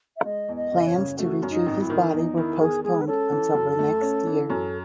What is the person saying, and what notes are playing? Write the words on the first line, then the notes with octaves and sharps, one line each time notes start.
Plans to retrieve his body were postponed until the next year.
E5
G#3 D#5
E2
D#5
F#1
C#5
C#3
A3 F#4
F#2
D#4
G#1
E4
D#3
E2 D#4
D#3 E4
E2 G#4
G#3 G#4
B4
C#4 A4
E3
F#2
A3
C#4
E3
F#2